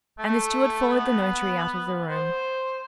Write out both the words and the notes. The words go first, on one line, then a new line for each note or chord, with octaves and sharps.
And the steward followed the notary out of the room.
A3
B3
C5